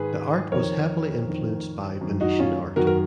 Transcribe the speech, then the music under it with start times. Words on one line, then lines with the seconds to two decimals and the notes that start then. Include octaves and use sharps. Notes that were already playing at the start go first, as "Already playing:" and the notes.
The art was heavily influenced by Venetian art.
Already playing: G#2 D#3 G#4 B4
0.52 F2 D#3 A#4 C#5
1.27 F2 D#3
2.01 F#2 D#3
2.21 D#4 F#4
2.39 C#4 F4
2.76 F#2 D#3 F#4 A#4
2.87 A#4